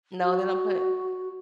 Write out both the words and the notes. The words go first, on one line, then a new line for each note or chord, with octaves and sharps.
No, they don't put
F#4